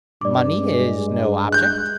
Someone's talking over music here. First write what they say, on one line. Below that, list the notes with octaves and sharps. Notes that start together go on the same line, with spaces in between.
"Money is no object?"
G2 D5 D6
G#3
F#6 G6